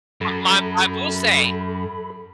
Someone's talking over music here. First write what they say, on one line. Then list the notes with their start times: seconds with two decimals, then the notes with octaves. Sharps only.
M my I will say
0.21 F#2 A4 B5